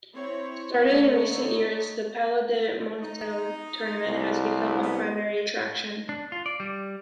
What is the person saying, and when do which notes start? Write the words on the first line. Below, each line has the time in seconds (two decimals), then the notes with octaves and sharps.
Started in recent years, the "Palio di Monselice" tournament has become a primary attraction.
0.13 C4 E4 C#5
0.83 D3 A3 D#4 C#5
3.03 D#4
4.06 C2
4.83 B3 C#4
6.09 D4
6.32 F4
6.46 D5
6.60 G3